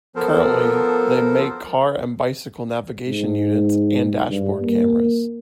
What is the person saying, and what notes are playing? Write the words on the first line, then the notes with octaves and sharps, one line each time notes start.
Currently they make Car and Bicycle Navigation Units and Dashboard Cameras.
F3 B3 A4 A#4 C5
G#2
G2
A#3